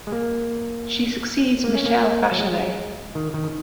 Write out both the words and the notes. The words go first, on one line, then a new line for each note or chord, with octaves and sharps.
She succeeds Michelle Bachelet.
G#3
A#3
A#3
C#4
A#3
F#3
G#3
D#3
D#3